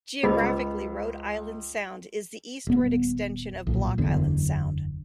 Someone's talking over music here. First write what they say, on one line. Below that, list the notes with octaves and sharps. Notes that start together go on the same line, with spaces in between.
Geographically, Rhode Island Sound is the eastward extension of Block Island Sound.
C#2 G#4 C5 D#5 B5 E6
D#1 B3
B1 A#2
F#1 E2 D3